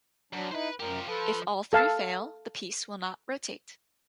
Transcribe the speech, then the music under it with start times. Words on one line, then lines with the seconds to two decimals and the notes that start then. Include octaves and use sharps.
If all three fail, the piece will not rotate.
0.33 F#2 F#3 D4
0.51 D#4 E4 B4 C5
0.80 F#2 F3 G4 A#4
1.08 F3 A4 B4
1.73 A4 F5 A5